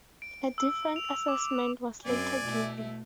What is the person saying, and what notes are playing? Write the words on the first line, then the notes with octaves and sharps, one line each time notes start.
A different assessment was later given.
D7
E6
F7
D6
F#2 C4 D5 G#5
B2 A3 E4